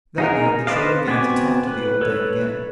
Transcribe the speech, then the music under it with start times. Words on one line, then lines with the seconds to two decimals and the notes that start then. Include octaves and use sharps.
That night the Troll began to talk to the old dame again.
0.18 D#4 G#4 A#4
0.67 B4 C5 D5 D#5 F5
1.08 B3 C4 F#4 G#5 D6
1.67 B4
2.01 A4 B4 C#5